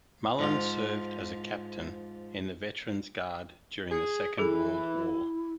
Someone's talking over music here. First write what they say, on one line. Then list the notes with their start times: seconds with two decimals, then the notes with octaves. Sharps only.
Mullin served as a captain in the Veterans Guard during the Second World War.
0.39 G#2 F3 F4
3.90 G#4
4.38 E3 E4 G#4 A4